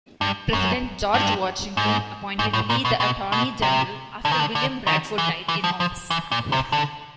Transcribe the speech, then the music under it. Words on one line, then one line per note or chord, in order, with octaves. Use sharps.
President George Washington appointed Lee the Attorney General after William Bradford died in office.
G2
F#2
G2
G#2
G#2
A2
A#2
B2
B2
B2
C3
D3
D#3
D3
D3
D#3
E3
E3
F3
F3
E3
A#2
C3
D3